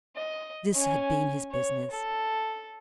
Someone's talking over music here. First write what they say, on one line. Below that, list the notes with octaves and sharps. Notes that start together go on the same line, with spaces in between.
This had been his business.
D#5
C#4 G#5
C#5
A4